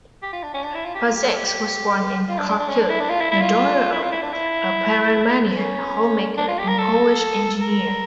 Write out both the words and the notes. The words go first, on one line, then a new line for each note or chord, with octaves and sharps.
Pasek was born in Kharkiv, the daughter of a Panamanian homemaker and Polish engineer.
G4
F4
D4
C#4
D4
E4
F4
G4
F4
G4
A4
G4
G4
F4
D4
D4
D4
C#4
D4
E4
D4
F4
E4
E4
F4
E4
F4
E4
D4
E4
C#4
D4
F4
G4
A#4
A4
A#4